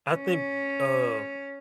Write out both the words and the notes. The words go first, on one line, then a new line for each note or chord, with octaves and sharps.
I think, uh,
C#4